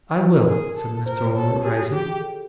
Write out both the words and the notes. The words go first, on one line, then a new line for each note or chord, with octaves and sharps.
'I will,' said Mr. Omer, rising.
G#4 A#4
A4
A#4 C5
A4 C#5
C#5
G4 G#4
F#4
G4 G#4
G#4
A4